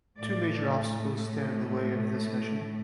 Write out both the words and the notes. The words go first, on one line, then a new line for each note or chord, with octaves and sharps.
Two major obstacles stand in the way of this mission.
A2 A3 D5